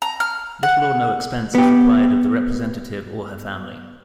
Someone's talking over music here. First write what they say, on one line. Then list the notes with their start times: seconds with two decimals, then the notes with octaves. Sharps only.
Little or no expense is required of the representative or her family.
0.02 A#5
0.20 F6
0.63 F#5
1.55 B3 G4